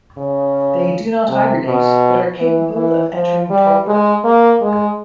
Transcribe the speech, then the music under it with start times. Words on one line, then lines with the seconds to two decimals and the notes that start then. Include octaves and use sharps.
They do not hibernate, but are capable of entering torpor.
0.17 C#3
1.28 C3
1.65 B2
2.39 E3
2.76 E3
3.13 F3
3.50 G3
3.87 G#3
4.24 A#3
4.61 G#3